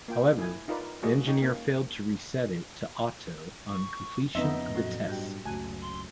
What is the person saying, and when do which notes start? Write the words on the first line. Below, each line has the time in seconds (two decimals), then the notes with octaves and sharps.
However, the engineer failed to reset it to "auto" on completion of the test.
0.08 A#3 F4 G5
0.39 E4 G#5
0.68 D#4 F4 A#4 B4 D5
1.03 G#3 A#3 F#4 G#4 D5 D#5
1.27 C#4 D#4 C#5 G5
1.42 A#3
3.69 C#6
4.35 F2 C#3 B3 C4 D#4 D#5 E5
4.75 A2 F#3 F#4
5.07 G2 F#4 G4 G5
5.46 C#2 F#2 A3 F#4 G#5
5.82 C6